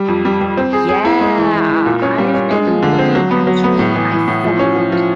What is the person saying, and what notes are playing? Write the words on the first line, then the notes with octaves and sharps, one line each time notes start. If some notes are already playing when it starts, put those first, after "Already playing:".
Yeah, I've been looking, actually I found
Already playing: G3
F2
G3
G3
C4
G#4
G#4
E4
G#3
E3
E3
E3
A#2
C#4
G3
C#4
G#3
F3
D3
C4
F#3
B3
F#3
B3
A2
E3
E3
A2
F3
C#4
F3
F3